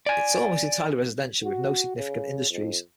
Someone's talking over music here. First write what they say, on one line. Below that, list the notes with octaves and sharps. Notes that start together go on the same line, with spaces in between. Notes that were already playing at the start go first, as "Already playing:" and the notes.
It is almost entirely residential, with no significant industries.
D5 G#5
F#4
C#3
F2